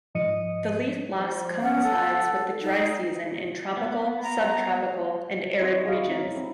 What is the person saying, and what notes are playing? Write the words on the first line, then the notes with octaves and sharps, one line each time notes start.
The leaf loss coincides with the dry season in tropical, subtropical and arid regions.
G#2 F3 D#5 D#6 C#7 D#7
F3
C#4 F#5
A4
D#4
B3
A#5
C4 E4 F#4 C5 D#5 E5
E4 F#4 G#4 D5 D#5 F5
C4 D#4 C#5 F#5
C4 D#4 E4